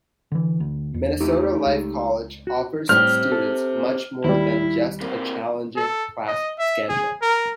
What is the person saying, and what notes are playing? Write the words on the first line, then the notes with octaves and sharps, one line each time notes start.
Minnesota Life College offers its students much more than just a challenging class schedule.
D3 E3
D2
E2
A3 D#4 G4
C#2
F#4
A2 G3 C4 G4 F6
A4
D#2 G3 E4
C3 A#3
A4
D#5
E5
G#4
A#4